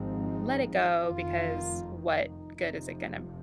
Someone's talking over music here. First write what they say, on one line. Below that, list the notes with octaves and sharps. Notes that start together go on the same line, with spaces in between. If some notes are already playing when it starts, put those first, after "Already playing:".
let it go because what good is it gonna
Already playing: G#1 G#2 F3 G#3 C4 D#4
F1 F2 D#3 F4
D#4
F1 F2 C3 F3 D#4